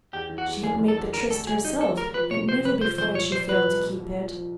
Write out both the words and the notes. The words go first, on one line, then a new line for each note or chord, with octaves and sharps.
She had made the tryst herself, and never before had she failed to keep it.
E2 G4
E3
F#4
E2
F1 G#4
F1
A4
E2
D3 A#4
A3 A4
F#3 G#4
F#3 D#4
A3 A4
F#3 A#4
F3 B4
C3 C#5
C3 C5
F2 B4
F3 C5
F2 C5
A#2 C#5
A#2 C5
F3 B4
C2
A#2
C2
F3
F3